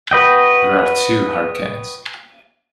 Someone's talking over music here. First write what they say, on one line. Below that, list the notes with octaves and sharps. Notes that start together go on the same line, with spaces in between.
There are two Hurricanes.
F#4 B4 D#5 G5